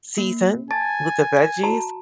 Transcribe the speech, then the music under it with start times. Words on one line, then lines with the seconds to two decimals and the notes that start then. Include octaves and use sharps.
seasoned with the veggies.
0.18 A#3
0.71 G#5 A5 A6
1.63 F#4 A5 A#5